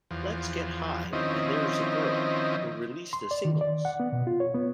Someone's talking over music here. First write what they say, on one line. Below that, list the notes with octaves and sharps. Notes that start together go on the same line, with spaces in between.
"Let's Get High" and "There is a Girl" were released as singles.
E2 F3
D#3 F3 C4 C#4 E4 D#5
C6
D5
D#3
D5
F#5
B3
B2
F4
C#5
B3